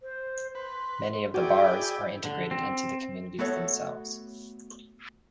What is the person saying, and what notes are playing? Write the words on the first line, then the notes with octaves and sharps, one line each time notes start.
Many of the bars are integrated into the communities themselves.
C5
B4 C6
E4 F#4 G#4 D5 G5
D3
C4
A3 B3 F#4 A4 C#5 F#5